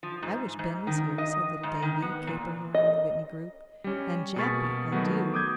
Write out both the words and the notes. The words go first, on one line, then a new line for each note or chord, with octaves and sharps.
"I wish Ben was here," said little Davie, capering around the Whitney group, "an' Jappy, I do!"
F3
G#2
G#2
D#3
D#5
G#2
D#3
B3
A#2
D#5
G3 C#4
B2 A#3 G#4 C#6 A6 B6
D#3 F#3 A3 B3 F#4
D6 D#6 G6 G#6